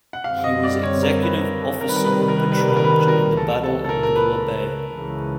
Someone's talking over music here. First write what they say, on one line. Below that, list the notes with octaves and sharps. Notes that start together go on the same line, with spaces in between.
He was Executive Officer of "Petrel" during the Battle of Manila Bay.
F#5
F#2 D3 G3 C4 F5
D#5
D5
C#5
A#4
B4
A#4
A4
C3 D#3 G3 A#4
B4
A#4
B4
A#4
B4
A#4
B4
A#4
B4
A#4
B4
A#4
B4
A#4
B4
A#4
C#2 C#3 E3 A4
A4
A4
A#4
A#4
B4
C#2 C#3 E3